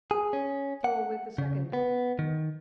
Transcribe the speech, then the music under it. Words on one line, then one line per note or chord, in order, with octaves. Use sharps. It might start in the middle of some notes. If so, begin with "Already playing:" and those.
So with the second.
G#4
C#4
F#5
C#3
B3
D#3